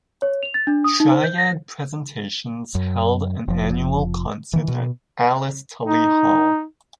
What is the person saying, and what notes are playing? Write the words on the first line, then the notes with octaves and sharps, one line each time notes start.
Triad Presentations held an annual concert at Alice Tully Hall.
C#5
F7
A6
D4
D#6
D#4
C5
G6
A#6
F#2
F1 F3
D#3 E3
B2
D#4